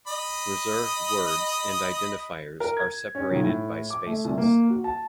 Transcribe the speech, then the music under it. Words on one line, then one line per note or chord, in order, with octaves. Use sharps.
Reserved words and identifiers are separated by spaces.
D#5 B5
A#4
G#6
C#4
B1
A2
D6
A3
C2
A#3
F#4
A5